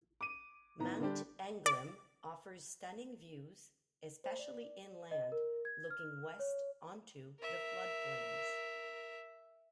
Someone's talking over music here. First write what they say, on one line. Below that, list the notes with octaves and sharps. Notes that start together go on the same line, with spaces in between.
Mount Anglem offers stunning views, especially inland looking west onto the floodplains.
D6 D#7
A2 D#3 B3 A#5
D3 G3 D4 G4
D5
C5
D5
D5
D#5
A#4
G#6
F6
C#5
A#4 E5